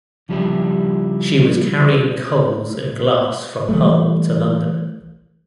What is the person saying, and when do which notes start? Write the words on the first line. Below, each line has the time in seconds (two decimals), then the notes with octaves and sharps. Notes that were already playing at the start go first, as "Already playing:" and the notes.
She was carrying coals and glass from Hull to London.
0.29 C#3 F3 G3 D4 E4 G4
3.69 E3 G3 A3